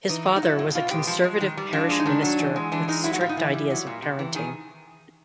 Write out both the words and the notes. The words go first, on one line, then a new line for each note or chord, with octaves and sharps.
His father was a conservative parish minister with strict ideas of parenting.
E3 D#4
G#3
D#4
F#3 E4
A2
B2 F4
G#3 G4
F3
G#3
D#3
G3
F3 D4
G#3
D#4
D#3 D4
F#3
E3
G#3
E3 D4
G#3 D#4
F#3 E4
F#4
A2 F4
D#4
E3 E4
G3
F#3
A#2
C3
E3
D#3 G#4